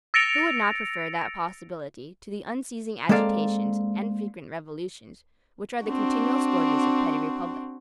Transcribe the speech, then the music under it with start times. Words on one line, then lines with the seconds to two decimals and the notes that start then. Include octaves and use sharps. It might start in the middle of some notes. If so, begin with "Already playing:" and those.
Who would not prefer that possibility to the unceasing agitations and frequent revolutions which are the continual scourges of petty republics?
0.14 E6 A6 A#6 C#7 D7 F7
3.09 G#3 A#3 C4 A4 D5 F5
5.85 C4 D4 F#4